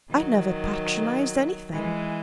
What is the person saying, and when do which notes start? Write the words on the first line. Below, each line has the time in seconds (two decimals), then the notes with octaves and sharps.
I never patronised anything.
0.10 D#3 F#3
1.72 E3 G#3